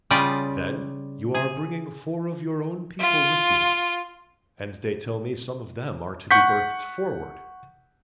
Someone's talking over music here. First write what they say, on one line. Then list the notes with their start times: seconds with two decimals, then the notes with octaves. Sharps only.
Then, you are bringing four of your own people with you, and they tell me some of them are to be berthed forward.
0.11 C#3 G3 F4 D5 D#5 G5
1.34 G#4
3.00 F4
6.31 F#5 C#6 G6 B6